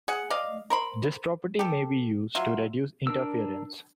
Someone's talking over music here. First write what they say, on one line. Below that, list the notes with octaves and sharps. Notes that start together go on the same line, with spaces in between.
This property may be used to reduce interference.
G#4 F#5
D5 D#5 F5
A#4 C5 B5
G4 A4
F#3 F4 E5
D4 A#4 E6